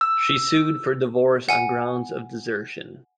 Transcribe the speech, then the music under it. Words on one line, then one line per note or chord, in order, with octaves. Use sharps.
She sued for divorce on grounds of desertion.
E6
F#5 G#5